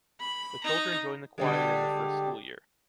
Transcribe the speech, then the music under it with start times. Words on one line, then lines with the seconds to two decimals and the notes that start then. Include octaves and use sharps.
The children join the choir in the first school year.
0.20 B5
0.63 D#4 A#5
1.38 D3 G3 G#3